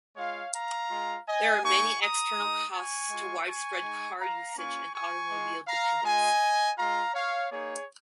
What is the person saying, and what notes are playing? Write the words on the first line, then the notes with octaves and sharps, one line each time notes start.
There are many external costs to widespread car usage and automobile dependency.
G#3 F4 C#5 F5
F5 A#5
G#3 F4
D#5 G#5
A#3 D#4 G#5 C#6
A#5 D#6
G#3 D#4
G#5 C#6
G#3 F4
G#5 C#6
G#3 D#4
F5 A#5
A#3 C#4 F4 G#5 C#6
G#5 C#6
G#3 F4
F5 A#5
G#3 F4 D#5 G#5
G#3 F4 F5 A#5
C#5 F5
A#3 D#4 G#4 C#5